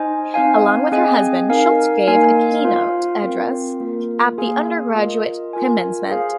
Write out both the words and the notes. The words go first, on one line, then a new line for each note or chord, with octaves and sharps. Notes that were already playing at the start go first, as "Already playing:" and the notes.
Along with her husband, Schultz gave a keynote address at the undergraduate commencement.
Already playing: D#4 C5 D#5 G#5
C4 D#4 C5 F5 G#5
C4 G#4 D#5 G#5
D#4 A#4 F5 G#5
A#3 D#4 A#4 F5 G#5
F4 C5 F5
C4 F4 A#4
A#3 F4 A#4
A#3 G#4 F5 G#5
F4 A#4 D#5
F4 A#4 G#5
G#4 C5 F5 G#5